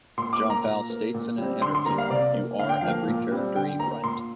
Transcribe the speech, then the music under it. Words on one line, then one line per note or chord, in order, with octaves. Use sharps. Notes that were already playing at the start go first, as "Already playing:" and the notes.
John Fowles states in an interview: You are every character you write.
A#2 C6
D6
A#3
A#5
A#2
A#3
A#2
G3 C4
D3 C6
C6
G3 A#3 A#5
F5
C3 D5
A#3
D3 F5
G5
F3 F5
A#3
A#2
G3 C4
D3 G5
A#3 A#5
A#2 C6